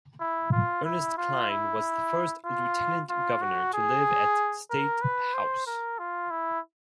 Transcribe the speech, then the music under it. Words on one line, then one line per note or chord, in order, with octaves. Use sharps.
Ernest Kline was the first Lieutenant Governor to live at State House.
E4
F4
E4
F4
E4
F4
F4
F#4
G#4
A#4
B4
C5
A#4
F4
E4